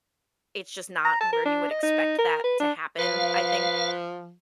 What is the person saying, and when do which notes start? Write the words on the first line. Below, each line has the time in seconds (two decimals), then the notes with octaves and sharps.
it's just not where you would expect that to happen, I think,
1.05 A#5
1.20 A5
1.33 A#4
1.45 D4
1.71 D#5
1.83 D#4
2.18 A#4
2.44 B4
2.60 D4
2.99 F3 B4 F5